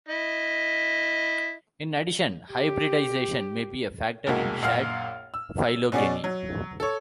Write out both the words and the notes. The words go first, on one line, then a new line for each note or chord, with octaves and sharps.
In addition, hybridization may be a factor in shad phylogeny.
E4 D#5
G4
E1 C2 G#3 A#3 F#4
A#1 F#2 A#2 F5 F#5 F6
E6
B2 C#4 F#4 G#4 D5
F#3
A4 C#5